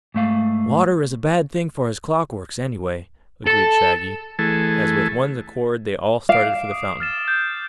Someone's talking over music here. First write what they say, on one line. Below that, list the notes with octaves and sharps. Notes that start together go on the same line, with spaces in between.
"Water is a bad thing for his clockworks, anyway," agreed Shaggy, as with one accord they all started for the fountain.
G#2 A3 F5
A4 A5
E3 A3 G#4 A4
F5 D6 C7 D7
D#6
F6 A6 E7
G6